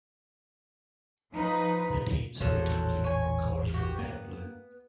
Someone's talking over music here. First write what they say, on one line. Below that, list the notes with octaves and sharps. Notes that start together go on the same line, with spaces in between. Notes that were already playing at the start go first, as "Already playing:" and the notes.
The team's original uniform colors were red and blue.
F3 D#4 B4
A1 E2 A#2 F3 F#3 A4
C#5 G#5
F#4 G4
A#3 B3